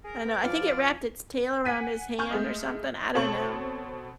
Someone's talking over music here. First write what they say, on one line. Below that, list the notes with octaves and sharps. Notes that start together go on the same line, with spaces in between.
I don't know, I think it wrapped its tail around his hand or something, I don't know.
G#4 A#4
B3
F3 D5 F6
F#5 G#5 B6 D#7
G#5 C#6 F6 G6
G#3 A3 D#5
B2 C4 A4 C#5 C#6 F#7